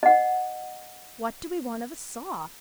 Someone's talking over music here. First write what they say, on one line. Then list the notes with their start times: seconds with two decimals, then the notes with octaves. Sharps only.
"What do we want of a saw?"
0.03 D#5 F#5